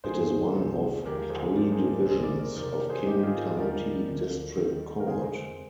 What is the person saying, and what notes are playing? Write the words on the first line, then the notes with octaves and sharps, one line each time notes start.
It is one of three divisions of King County District Court.
G2 F3 G#3 G#4 C5
C2 C3 F3
D#2 D3 F3 G#3 G4 A#4
G#4 C5
G#2 F3 A#3 D4 A#4 D5
G#4 C5
A#4 D5
C2 A#2 G#3 G#4 C5
A#4 D5
A#4 D5
F2 C3 D#3 A#4 D5
G4 A#4
G#4 C5
G#2 D#3 G#3 C4 D#4 G4
G4
F4 G#4
D#2 D3 G3 A#4 D5
D2 D3 F3
D#2 D#3 G3
A#4
F2 D3 G#3 C4 G#4 C5